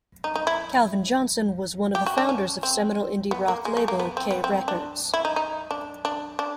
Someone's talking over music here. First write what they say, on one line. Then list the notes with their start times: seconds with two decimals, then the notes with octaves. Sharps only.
Calvin Johnson was one of the founders of seminal indie-rock label K Records.
0.24 D#4
0.36 D#4
0.47 E4
1.95 G4
2.06 F#4
2.18 D4
2.29 C#4
2.63 C4
3.31 B3
3.48 A#3
3.65 G#3
3.77 A3
3.88 A#3
4.00 B3
4.17 C4
4.31 B3
4.44 C4
4.68 D4
5.14 E4
5.25 D#4
5.36 D#4
5.71 D4
6.05 D4
6.39 D4